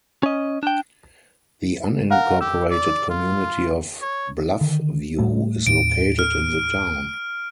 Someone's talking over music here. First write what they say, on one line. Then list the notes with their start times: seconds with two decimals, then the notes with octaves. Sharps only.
The unincorporated community of Bluffview is located in the town.
0.23 C#4 D#5
0.63 D4 G5
2.11 A#4 F5 F#5
2.41 G4 E6
2.71 D5
3.10 F4
4.01 C#5
4.61 D3 D#3
5.18 A2 G3 A3
5.67 D#2 A2 D7
6.19 F6